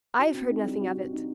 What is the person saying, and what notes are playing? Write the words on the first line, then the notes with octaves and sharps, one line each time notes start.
"I've heard nothing of it."
F#4
C4
D#4
G3
F#4
C4
D#4